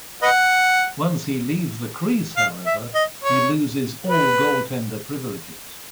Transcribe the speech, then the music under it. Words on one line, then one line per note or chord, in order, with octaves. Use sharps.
Once he leaves the crease, however, he loses all goaltender privileges.
B4 D#5 F#5
F5
E5
D#5
C#5
B4